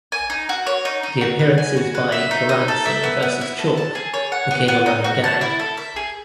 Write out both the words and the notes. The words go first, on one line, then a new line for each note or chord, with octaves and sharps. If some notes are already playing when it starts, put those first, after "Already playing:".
The appearances by Goranson versus Chalke became a running gag.
G#5
D#4
F#4
C#5
D#4
D#4
F#4
B4
G#5
F#4
B4
E5
D#4
D#4
A4
E5
B3
B3
E4
A4
A5
G#4
C#5
F#5
B3
B3
D#4
F#4
A5
E4
A4
E5
G#4